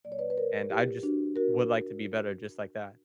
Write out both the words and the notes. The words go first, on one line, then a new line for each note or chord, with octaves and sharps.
and I just would like to be better just like that.
A#2 F#3 A#3 D5
C#5
B4 D5
B4
A#4 C#5
E4 G4
D4 F#4
F#4 A#4